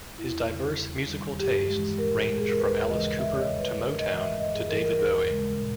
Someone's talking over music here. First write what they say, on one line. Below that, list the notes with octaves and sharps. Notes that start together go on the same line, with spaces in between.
His diverse musical tastes range from Alice Cooper to Motown to David Bowie.
E2 E4
C#3 G3
D#2
D#3 G3
G2 G4
E3 G#3
A#2 A#4
G#3
G#4
A#4
D#2 B4
C#3 E3 G#3 D#5
E2 E5
C#5
D#5
D#3 G3
B4
G#2 A#4
D#5
E3 G#3
E5
G2 D#5
G#4
E3 G3 A#4
A#4
D#2 A#4
C#3 G#3
A#2